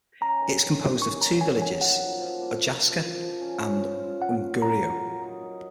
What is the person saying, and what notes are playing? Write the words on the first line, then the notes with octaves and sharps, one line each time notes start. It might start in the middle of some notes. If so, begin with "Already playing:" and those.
It is composed of two villages, Ojasca and Unguriu.
C#4 A#5
D#3
A#3
A#3
C#4 C#6
F#3 A#5
F#3 G#5
D#3 G#5
A#3 F#5
F3
F3
A#3
F3
A#3
F3
F3
C#4
C#4
F4
F4
F4 F#5
F#3
F#3 A#5
F4
A#4
D#4
D#4